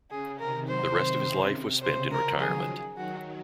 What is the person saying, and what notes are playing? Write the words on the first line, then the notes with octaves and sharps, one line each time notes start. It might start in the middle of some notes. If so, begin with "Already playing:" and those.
The rest of his life was spent in retirement.
C#3 G#4
C3 D#3 A#4
D#3 F#3 C5
C3 D#3
C#3
C3
C#3 C5
C#3 F3 A#4
D#3 F#3 G#4
D#3 F#3 F#4